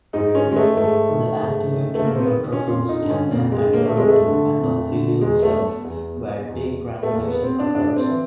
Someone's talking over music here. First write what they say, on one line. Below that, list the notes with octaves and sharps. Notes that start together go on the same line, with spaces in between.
The activated neutrophils can then adhere to endothelial cells where degranulation occurs.
G#2 D#4
C#4
D#3
G#3
A3
G#2 A3
D#3
G#2
D#3
A3
G#2 A#3
C4
B3
D#3
C#4
F2 F4
D#4
D3
C#4
F2 A#3
G#3
D3
A#3
A3
F2 G#3
A3
D3
F2
D3
E2 G#3
A3
B2
E2
B2
E2
B2
A3
E2 A#3
B3
B2 C4
D4
A2 D4
C4
E3